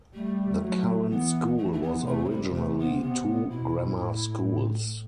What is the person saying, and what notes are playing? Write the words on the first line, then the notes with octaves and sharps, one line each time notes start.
The current school was originally two grammar schools.
G3 A3
F#3
E3 B3
E3 A3
A3
B3
C3 A3
F#3
G3
C3 A3
B3
B3
B2 E4
A2